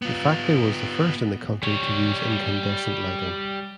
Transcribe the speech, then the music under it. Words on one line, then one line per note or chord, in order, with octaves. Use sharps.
The factory was the first in the country to use incandescent lighting.
B3 F4
G3 C#5